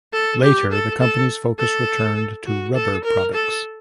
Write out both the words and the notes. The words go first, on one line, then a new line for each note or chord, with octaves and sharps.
Later, the company's focus returned to rubber products.
A4
G4
A4
A4
A4
F#4
A4
A#4
A4